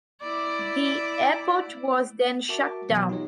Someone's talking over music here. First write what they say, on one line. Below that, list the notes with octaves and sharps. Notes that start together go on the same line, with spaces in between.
The airport was then shut down.
E4 D5
F#4 A#4 E5 A5 D6
B2 E3 F#3 B3 F#4
D#4 F4 G4 C#5 D#5